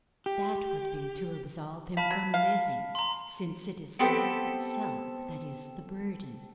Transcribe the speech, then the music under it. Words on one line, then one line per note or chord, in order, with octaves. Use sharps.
That would be to absolve him from living, since it is life itself that is the burden.
G4
F5 A5 B5 B6
F#3
F5
A#5 C6
B3 C4 G4 A4